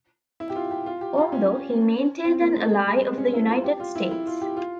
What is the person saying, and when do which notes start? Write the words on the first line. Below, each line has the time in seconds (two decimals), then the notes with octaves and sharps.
Although, he maintained an ally of the United States.
0.40 E4
0.50 G4
0.56 F4
0.71 G4
0.86 F4
1.01 G4
1.17 F4
1.32 C#4
2.25 C4
2.40 A#3
2.56 G#3
2.72 G3
2.87 G#3
3.02 C4
3.18 C#4
3.34 E4
3.49 F4
3.64 G4
3.80 F4
3.95 E4
4.11 E4
4.27 F4
4.41 G4
4.57 F4